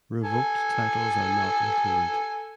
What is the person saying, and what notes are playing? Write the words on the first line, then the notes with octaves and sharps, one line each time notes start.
Revoked titles are not included.
A4 G#5